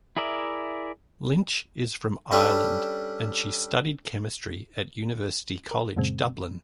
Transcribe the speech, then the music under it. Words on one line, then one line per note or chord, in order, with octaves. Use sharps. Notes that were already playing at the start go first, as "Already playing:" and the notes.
Lynch is from Ireland and she studied chemistry at University College Dublin.
E4 G#4 A#4 D5 E5
G3 C#4 D4 A4 B4
A#4
F#2 A#2 C#3 G#3 C4